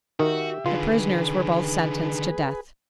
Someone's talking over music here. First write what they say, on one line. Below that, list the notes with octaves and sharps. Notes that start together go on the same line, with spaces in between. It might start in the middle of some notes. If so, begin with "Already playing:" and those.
The prisoners were both sentenced to death.
D#3 F#4 G4 E5
D3 D#3 F4 G#4 B4